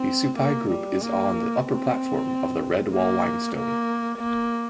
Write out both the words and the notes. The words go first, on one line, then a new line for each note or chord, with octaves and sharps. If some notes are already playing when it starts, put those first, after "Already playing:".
The Supai Group is on the upper platform of the Redwall Limestone.
Already playing: C4
A#3
G3
A#3
C4
A#3
A#3
A#3